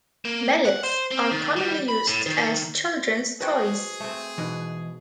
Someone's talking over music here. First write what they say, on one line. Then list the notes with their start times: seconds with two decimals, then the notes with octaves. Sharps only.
Mallets are commonly used as children's toys.
0.25 A#3
0.65 F#5
0.83 C5
1.11 C4
1.31 D#3
1.56 G3
1.89 B5
2.08 A2
2.26 D#3
3.41 D#4 F#4 G#4 A4 B4 C5 G5
4.00 A3 C4
4.38 G#2 B2 E3